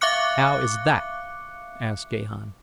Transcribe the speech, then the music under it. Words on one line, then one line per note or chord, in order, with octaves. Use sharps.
"How is that?" asked Gahan.
E5 F5 C#6 D6 F#6 C#7